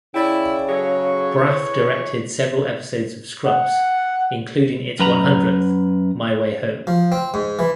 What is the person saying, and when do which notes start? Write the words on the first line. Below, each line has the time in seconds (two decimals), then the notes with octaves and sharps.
Braff directed several episodes of "Scrubs", including its one-hundredth, "My Way Home".
0.14 C#3 E4 D5 G5
0.69 F#3 G#4 A4 C#5
1.38 E3 C#5
3.46 F#5
4.99 F#2 B4 A#5
6.87 F3
7.12 C4
7.34 G#2
7.59 E3